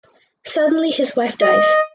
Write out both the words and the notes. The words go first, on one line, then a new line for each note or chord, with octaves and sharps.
Suddenly his wife dies.
D#5